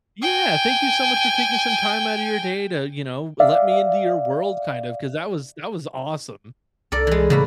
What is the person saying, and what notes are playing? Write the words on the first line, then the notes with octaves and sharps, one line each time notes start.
Yeah, thank you so much for taking some time out of your day to, you know, let me into your world, kind of, 'cause that was that was awesome.
G5 G#5
D5 E5 F5
C2 A4 A#4 D5
E3 G#3
A2 C#3 A#3 B4